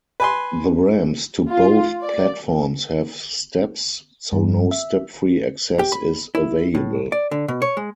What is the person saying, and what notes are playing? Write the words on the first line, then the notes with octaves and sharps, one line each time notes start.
The ramps to both platforms have steps, so no step-free access is available.
B4 G#5 C6
F4
D5
G2
E5
G4
B5
E4
A2
D5
D3
B2
C#5
G#3